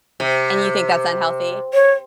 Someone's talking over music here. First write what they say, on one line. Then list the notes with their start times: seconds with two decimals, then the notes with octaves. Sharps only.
And you think that's unhealthy?
0.20 C3
1.74 C#5